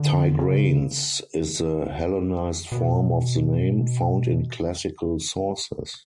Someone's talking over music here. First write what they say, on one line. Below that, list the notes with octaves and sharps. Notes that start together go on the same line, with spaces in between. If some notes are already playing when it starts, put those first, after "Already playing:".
"Tigranes" is the Hellenized form of the name, found in classical sources.
Already playing: D3
C#3
B2